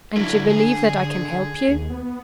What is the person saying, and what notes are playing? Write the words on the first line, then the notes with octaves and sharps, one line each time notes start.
"And you believe that I can help you?"
D3 F#3 E4
G#4 G#5
D#2
B3